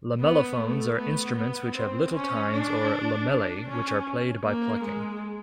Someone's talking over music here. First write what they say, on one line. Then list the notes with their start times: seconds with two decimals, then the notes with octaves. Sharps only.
Lamellophones are instruments which have little tines, or "lamellae", which are played by plucking.
0.21 B3
0.60 A3
0.98 B3
1.36 B3
1.75 C4
2.14 C#4
2.52 D4
3.29 D4
3.68 C#4
4.45 A#3
4.84 G#3